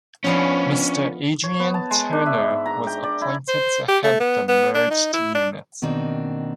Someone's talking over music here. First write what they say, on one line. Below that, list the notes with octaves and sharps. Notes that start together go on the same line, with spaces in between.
Mr Adrian Turner was appointed to head the merged unit.
F3 B3 C#4 D4 F5
C#5
B3
A5
G#3
D4
E5
G#2
A#5
G5
D5
E4
C5
G4
A3
B3
B3
D4
D#4
E4
D4
B2 D#3 A#3 C4 D4